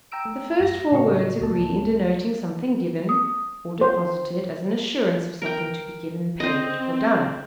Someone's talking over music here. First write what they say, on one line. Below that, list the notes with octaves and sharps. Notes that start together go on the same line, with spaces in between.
The first four words agree in denoting something given or deposited as an assurance of something to be given, paid, or done.
G5 A#5 E6 D7
A3
F#2 A#6
A2 C#3 F#4 A#4 D#5 C#6
C#2 A3 A#3 A5
D#6
C5
A#4 G5
C4 C5 D#5